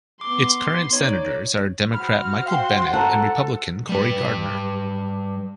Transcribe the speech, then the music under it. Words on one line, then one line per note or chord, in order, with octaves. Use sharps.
Its current senators are Democrat Michael Bennet and Republican Cory Gardner.
B3 C6 D6
D#4 C#5 D5
F#4 C5 B5 F6
F5 G5 C6
A4 F#5 A5 A#5
G3 B4